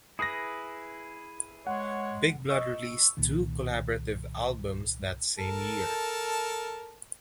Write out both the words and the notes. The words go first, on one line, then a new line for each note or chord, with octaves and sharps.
Big Blood released two collaborative albums that same year.
E4 G#4 B4 D#6 A#6
G#3 C#5 F#5
D#5 C#6 E6
C2 A#2 D#3
A4 A#4 A5